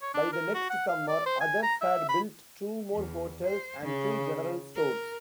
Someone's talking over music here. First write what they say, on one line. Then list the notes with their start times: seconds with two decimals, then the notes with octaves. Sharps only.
By the next summer others had built two more hotels and two general stores.
0.02 C#5
0.14 D4
0.33 A#4
0.54 F#4
0.70 F#5
0.88 F5
1.08 D5
1.26 C5
1.40 G#5
1.63 A#5
1.81 E5
2.09 B5
2.93 E2
3.45 C5
3.83 C#3
4.76 A#4